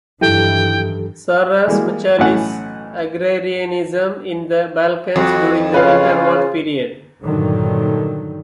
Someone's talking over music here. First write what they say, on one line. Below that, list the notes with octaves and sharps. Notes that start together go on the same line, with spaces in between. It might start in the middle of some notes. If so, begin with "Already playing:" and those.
Sarras Michalis, Agrarianism in the Balkans during the Interwar Period.
G2 D#3 E3 F#3 E4 G4 A4 G5
E3 G3 G#3 A#3
B1 A2 E3 C#4 F#5
F2 F#4
C#3 F4 B4 C#5 F5
G2 A#2 D3 D#3 F#3